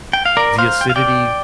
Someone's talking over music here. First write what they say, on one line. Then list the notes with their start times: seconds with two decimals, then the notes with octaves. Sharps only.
the acidity
0.13 G5
0.25 F5
0.37 A#4 D5
0.58 C5 F5
0.81 G5
0.90 F5
0.96 D5 G5